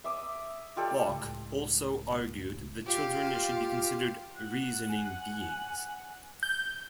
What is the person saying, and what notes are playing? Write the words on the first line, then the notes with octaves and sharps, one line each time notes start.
Locke also argued that children should be considered "reasoning beings".
E5 D6 D#6
F4 G4 A4 D5
C#2 A2
F4 G4 F5
F#5
G#5
G6